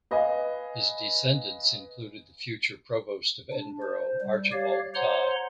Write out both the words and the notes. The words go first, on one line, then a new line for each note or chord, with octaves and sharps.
His descendants included the future Provost of Edinburgh Archibald Tod.
B4 D#5 F5 G#5
D4
C5
G3
G4 C#5 D5 F5
C5 C#5 F#5 A#5 C6